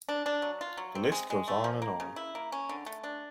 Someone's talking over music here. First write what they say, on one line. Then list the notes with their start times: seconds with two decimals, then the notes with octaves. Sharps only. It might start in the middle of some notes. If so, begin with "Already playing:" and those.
The list goes on and on.
0.09 D4
0.26 D4
0.42 F#3
0.61 F4
0.77 F#3
0.95 C4
1.12 G#3
1.30 G#3
1.48 A3
1.64 F3
1.82 A#3
2.00 C#3
2.16 E4
2.35 A#3
2.52 C#4
2.69 D3
2.86 A3
3.04 D4